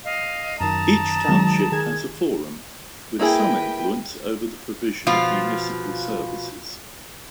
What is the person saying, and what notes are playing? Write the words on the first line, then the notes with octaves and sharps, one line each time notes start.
Each township has a forum, with some influence over the provision of municipal services.
D#5 F5
F#2 D#3 A5 A#5 D#6
D#3 F#3 G#3
D#3 G#4 G#6
A#3 E4 G#4 B4 G5
B2 F3 F4